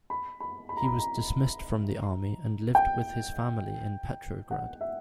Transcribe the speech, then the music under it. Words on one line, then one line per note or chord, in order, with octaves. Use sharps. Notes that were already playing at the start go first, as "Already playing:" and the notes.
He was dismissed from the army and lived with his family in Petrograd.
B5
B5
B5
A#5
B5
A#5
G5
F#5
E5